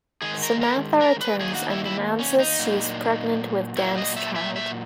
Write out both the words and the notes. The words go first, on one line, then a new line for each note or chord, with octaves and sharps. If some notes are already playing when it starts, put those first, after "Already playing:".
Samantha returns and announces she is pregnant with Dan's child.
D#3 G#3 G#4
A#4
A#4
A#4
B4
D#3 A#3 G#4
F#4
E4
E4
C#4
D#4
A#2 F#3 A#3
A#2 F#3 A#3 E4
D#5
E5
E5
E5